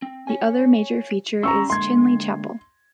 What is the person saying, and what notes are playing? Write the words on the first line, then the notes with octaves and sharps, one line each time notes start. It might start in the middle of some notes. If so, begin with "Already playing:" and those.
The other major feature is Chinley Chapel.
C4
C#5 G#5
G3 C#4 A#5 C6 C#6 E6
D3 G#3 A#3 C6 G#6